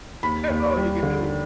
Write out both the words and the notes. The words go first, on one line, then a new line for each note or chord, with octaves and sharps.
all you can do.
D#2 B5
D#2
G3
D3